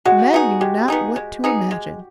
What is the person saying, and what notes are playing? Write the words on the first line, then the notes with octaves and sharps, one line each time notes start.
Men knew not what to imagine.
G#3 F#4
B3 D#4 G#4
G#3 G4
B3 D#4 G#4
G#3
B3 D#4 G#4
G#3